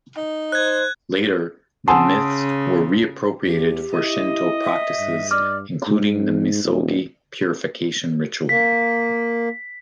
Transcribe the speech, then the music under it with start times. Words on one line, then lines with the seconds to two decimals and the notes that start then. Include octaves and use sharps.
Later, the myths were re-appropriated for Shinto practices including the misogi purification ritual.
0.17 D#4
0.52 C5 F#6 G#6
1.88 C#3 F#5 G#5 A5 C6 D#6 E6
3.47 E2 G4
3.93 E4 D#5
4.63 E5
4.99 G2
5.31 D5 D6 F6
5.88 G#2
6.64 D#1
8.49 A#3 B6